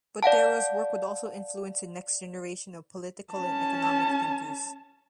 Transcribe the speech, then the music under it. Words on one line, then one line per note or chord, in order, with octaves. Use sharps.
Botero's work would also influence the next generation of political and economic thinkers.
D5 F5 F#5 A5
C#4 A5